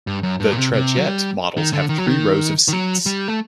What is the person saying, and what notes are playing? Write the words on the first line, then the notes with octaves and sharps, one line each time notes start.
The Trajet models have three rows of seats.
G2
F#2
G2
A#2
C3
C3
F#3
G3
D#3
D3
D#3
F#3
D#3
D#3
F#3
G3
A3